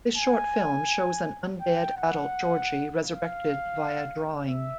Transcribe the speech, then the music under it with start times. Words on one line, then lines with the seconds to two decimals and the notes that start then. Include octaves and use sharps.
This short film shows an undead adult Georgie resurrected via drawing.
0.17 G#5
1.61 G5
1.97 F#5
3.04 F5
4.48 E5